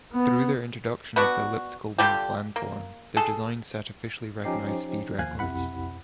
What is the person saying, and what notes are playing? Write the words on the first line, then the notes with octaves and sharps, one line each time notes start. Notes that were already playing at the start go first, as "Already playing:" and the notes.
Through their introduction of the elliptical wing-planform, their designs set officially recognized speed records.
B3
B3 D4 F#4
D3 G3 F4 G4
A#3
G#4 A4
F3 C#4 D#4 G4 C5 C7
D#2 F3 F5 G#5 F#6 G#6
B1 F2 C3 E4 F#5 B5